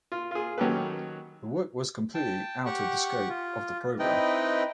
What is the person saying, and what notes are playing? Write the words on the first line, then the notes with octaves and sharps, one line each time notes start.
The work was completely out of the scope of the program.
F4
F4 G#4
D#3 F#3 C#4 G4 A4 B4
G5 A5
G4 F#5 C#6
F4
C4 D#4 E4 B4 D#5 G5